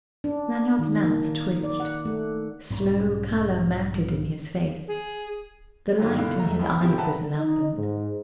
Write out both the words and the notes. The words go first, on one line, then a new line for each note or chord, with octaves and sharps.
Lanyard's mouth twitched, slow colour mounted in his face, the light in his eyes was lambent.
D4
D#3
A#3
D5
F#5
A3
B1 G#2 F#3 C#4
G#4
G2 D3 D#3 F#3 A3
B2 D3 E4 F5
E1 A3 A#5
C#2 E4 B5
G#2 B2 F3 C4 E4 G4
B4 E5 F#5 G5 A5 A#5
D#4
G#2